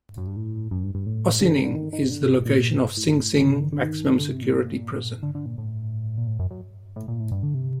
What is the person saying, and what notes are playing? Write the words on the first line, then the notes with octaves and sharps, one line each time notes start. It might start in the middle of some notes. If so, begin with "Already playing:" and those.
Ossining is the location of Sing Sing maximum-security prison.
F#2
G2
A2
F#2
G2
G2
A2
D3
D3
D#3
D#3
C3
D3
C3
A#2
A#2
A2
D3
C3
D3
D3
D#3
D3
C3
A#2
D3
D3
A#2
A2
A#2
A2
F#2
F#2
A2
A#2
A2
G2
D3
C3